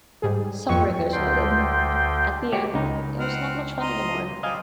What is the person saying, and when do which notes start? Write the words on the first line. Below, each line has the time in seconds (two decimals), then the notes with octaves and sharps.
Some regulars noted, At the end, it was not much fun anymore.
0.22 G#2 G3 G#4
0.69 F2 C#6
1.12 D2 D3 G5 C6
2.52 F#4 G4 C#5
2.74 C#2 D#4
3.20 C4 F#5 F6
3.80 D#5 A#5 C6
4.43 G3 C4 D#5 F5 G#5